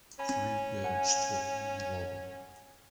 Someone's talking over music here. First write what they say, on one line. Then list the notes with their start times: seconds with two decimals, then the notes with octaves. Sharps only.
Three girls talking in a lobby.
0.19 C#4 G#5 B5
0.84 F#5 G#5